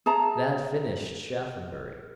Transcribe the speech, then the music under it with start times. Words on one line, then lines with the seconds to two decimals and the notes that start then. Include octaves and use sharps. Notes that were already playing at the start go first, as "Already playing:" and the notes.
That finished Shaphambury.
0.06 G#4 E5 A5 A#5